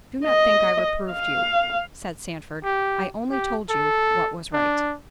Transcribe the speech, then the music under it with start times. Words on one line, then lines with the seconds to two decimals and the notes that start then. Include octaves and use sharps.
"Do not think I reproved you," said Sandford; "I only told you what was right."
0.24 D#5
1.11 F5
2.64 G4
3.31 G4
3.70 A4
4.53 D4